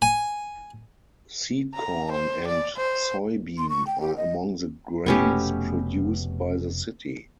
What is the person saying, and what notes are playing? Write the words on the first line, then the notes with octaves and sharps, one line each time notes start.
Seed corn and soybean are among the grains produced by the city.
G#5
A#5
C5
D5
C5
C6
C#6
G5
G4
D#5
F1 B2 A3 B3 C#4 G4